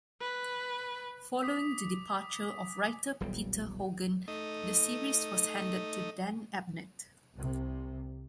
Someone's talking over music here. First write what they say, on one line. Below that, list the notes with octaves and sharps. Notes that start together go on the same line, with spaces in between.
Following the departure of writer Peter Hogan, the series was handed to Dan Abnett.
B4
D6 D#6 B6
D#1 B1 G3
A3 D#4 D#5
C2 C3